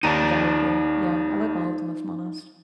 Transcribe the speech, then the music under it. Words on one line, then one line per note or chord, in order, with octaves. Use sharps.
valuable. Yeah, I like all of them, if I'm honest.
D#2 D#4 D5 A5 A#5 D#7